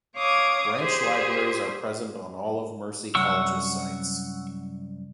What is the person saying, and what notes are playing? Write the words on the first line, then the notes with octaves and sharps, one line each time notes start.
Branch libraries are present on all of Mercy College's sites.
C#5 F5 D6 D#6 G#6
G4 G#4 C5
C2 F#2 F#5 C#6 E6